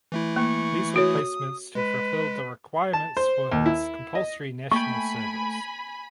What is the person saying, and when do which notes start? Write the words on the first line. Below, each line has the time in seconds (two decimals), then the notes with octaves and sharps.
These were placements to fulfil the requirements for his compulsory national service.
0.12 E3 A3 E4
0.36 A#3 C#6
0.96 F#4 C#5 D#6
1.75 G#3 B4
2.93 A5
3.17 C5
3.52 D#2
3.66 E4
4.15 D#5
4.72 A3 A#3 G5 G#5 B5 C#6